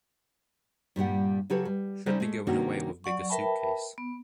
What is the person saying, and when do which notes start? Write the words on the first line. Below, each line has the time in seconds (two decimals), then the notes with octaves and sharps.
Should be going away with bigger suitcase.
0.96 G2 A#2 G3 F#5
1.50 C#3 F#3 G4 A4 B4 C#5
1.65 G3
2.06 G3 C#4 D#4 C5 D5 E5
2.20 G#3 A3
2.47 C3 D#3 A#3 C#4 D4 F#4
3.04 F#3 D5 F#5 C#6
3.29 A#4 B4 E5 G5 A5 B5
3.98 B3